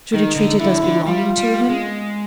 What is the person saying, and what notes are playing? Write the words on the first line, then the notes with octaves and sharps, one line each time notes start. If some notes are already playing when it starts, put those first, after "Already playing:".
Should he treat it as belonging to him?
D#3 D#4
D3
D3 E4
D3
G3 F4
G3
G#3